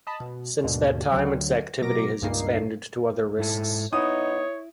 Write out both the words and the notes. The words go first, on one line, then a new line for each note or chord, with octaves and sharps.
Since that time its activity has expanded to other risks.
D#5 A5 B5
B2
D#2 G#2 B2 D3
D2 D3 F#3
B2 F#3 A#4 D6 A#6
C#2 G2 A#2 A#3 D#4 C7
G#2 E4 A4
B3 D#4 E4 C#5 D#6